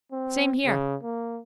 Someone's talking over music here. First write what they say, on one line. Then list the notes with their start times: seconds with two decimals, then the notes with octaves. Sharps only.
Same here.
0.12 C4
0.67 C#3
1.04 A#3